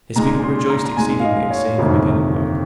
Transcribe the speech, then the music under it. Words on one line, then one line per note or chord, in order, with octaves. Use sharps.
His people rejoiced exceedingly at seeing him again at work.
A#2 G#3 D#4 A#5
C6
A#5
A#5
A#2 G#3 D#4 G#5
F5
D#5
C#5
G1 F2 C3 D#3 A#3